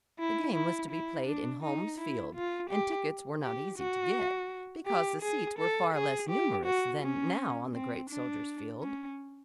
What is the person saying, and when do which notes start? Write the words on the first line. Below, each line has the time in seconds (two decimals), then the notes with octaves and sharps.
The game was to be played in Holmes' Field, and tickets were not easy to get, because the seats were far less numerous than now on the great Soldiers' Field.
0.19 E4
0.54 E4
0.91 E4
1.27 D4
1.63 D#4
1.99 E4
2.35 F4
2.70 G4
3.43 G4
3.78 F#4
4.86 G4
5.23 G#4
5.59 A4
5.95 G#4
6.30 G4
6.66 F#4
7.02 C#4
7.75 C4
8.10 D4
8.82 C#4